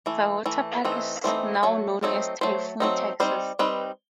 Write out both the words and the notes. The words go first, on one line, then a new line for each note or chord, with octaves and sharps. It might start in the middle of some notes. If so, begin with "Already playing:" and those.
The water park is now known as Typhoon Texas.
E3 A3
E3 A3
E3 A3 C4 D#4
E3 A3 C4 D#4 C5
F#3 A3 C#5
F#3 A3 C4 D#4
F#3 A3 C5
F#3 A3 C4 D#4
G3 C4 D#4 C5
G3 C4 D#4 B4